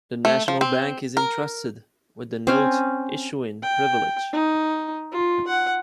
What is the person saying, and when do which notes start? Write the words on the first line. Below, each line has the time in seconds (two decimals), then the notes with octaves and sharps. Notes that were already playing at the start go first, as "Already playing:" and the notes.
The National Bank is entrusted with the note-issuing privilege.
0.25 A3
0.48 F3
0.61 C4
1.17 A#4
2.47 C4 C#4 G#5
3.63 G5
4.33 D#4
5.12 F4
5.48 F#5